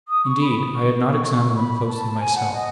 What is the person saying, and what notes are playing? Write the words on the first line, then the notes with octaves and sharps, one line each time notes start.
Indeed, I had not examined them closely myself.
D#6
C#6
B5
C#6
B5
A5
G#5
F#5
D#5